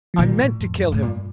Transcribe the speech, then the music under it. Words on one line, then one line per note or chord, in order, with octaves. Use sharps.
I meant to kill him.
F3
A#2 D#3
A2
F2
G2
A2
G2 A#2